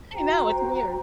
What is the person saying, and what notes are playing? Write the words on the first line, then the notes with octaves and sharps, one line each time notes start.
I know, it's weird.
F#4 C5 G5 A#5